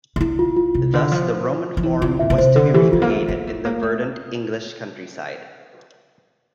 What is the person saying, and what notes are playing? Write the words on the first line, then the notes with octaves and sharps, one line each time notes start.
Thus the Roman Forum was to be recreated in the verdant English countryside.
C3
D3 E4
F4
F4
C3
D3
F3
F3
E3 E4
D3 F4
A#2 E5
A#2
C3 C5
D3 A4
E3 G4
F3 F4
A#3
A3
A#3
A3
A#3
A3